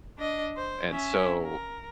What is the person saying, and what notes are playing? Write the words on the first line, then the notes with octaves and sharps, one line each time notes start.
And so
D4 D#5
C5
C#4 E5
A#4